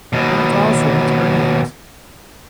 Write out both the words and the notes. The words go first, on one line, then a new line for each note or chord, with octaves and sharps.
That's awesome. That's great.
D#2 B2